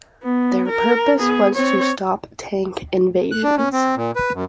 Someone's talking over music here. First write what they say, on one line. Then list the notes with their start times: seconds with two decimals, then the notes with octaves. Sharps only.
Their purpose was to stop tank invasions.
0.23 B3
0.68 A#4
1.17 B3 G#4
1.55 C4 C#5
3.32 F#6
3.44 D4
3.58 C#4
3.73 C4
3.96 A#2
4.16 B4
4.34 F#2